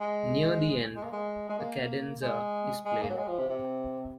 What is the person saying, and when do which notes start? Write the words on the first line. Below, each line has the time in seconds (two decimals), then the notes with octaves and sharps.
Near the end, a cadenza is played.
0.01 G#3
0.96 G#3
1.04 A#3
1.12 G#3
1.49 G#3
1.59 A#3
2.22 G#3
2.86 G#3
3.02 A#3
3.10 F#3
3.18 G#3
3.28 F3
3.39 C3
3.49 C3